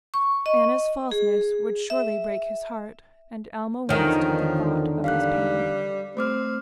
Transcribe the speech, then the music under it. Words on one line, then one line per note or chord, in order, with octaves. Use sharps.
Anna's falseness would surely break his heart, and Alma winced at the thought of his pain.
C#6
D#5
G#4
E5
E2 D3 D#3 F3 C#5 F6
G3 F5 F#6
A3 C4 D6 F6